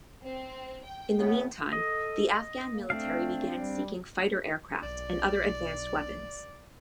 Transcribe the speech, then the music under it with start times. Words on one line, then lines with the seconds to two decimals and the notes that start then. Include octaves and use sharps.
In the meantime, the Afghan military began seeking fighter aircraft and other advanced weapons.
0.23 C4
0.84 G5
1.19 A2 C#3 B3
1.73 A4 D#5
2.71 A#3
2.90 A3 C4 D4 F5
3.57 G3
4.83 B1 D5